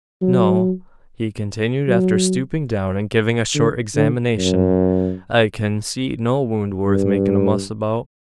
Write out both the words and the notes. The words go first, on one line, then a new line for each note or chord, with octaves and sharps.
No," he continued, after stooping down and giving a short examination, "I kin see no wound worth makin' a muss about.
F#3
F#3
D3
D3
F#2
G2